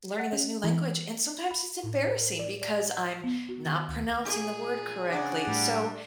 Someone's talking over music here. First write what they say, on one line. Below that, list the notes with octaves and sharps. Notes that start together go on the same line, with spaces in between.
learning this new language, and sometimes it's embarrassing, because I'm not pronouncing the word correctly, so
F#5
C#4
E3
B5
A2
C5
A#4
D5
D5
D#5
E6
B3
F#4
D#3
D2
A#2 G#4
C#3 D4 G#4 D5 F#5
A2 G3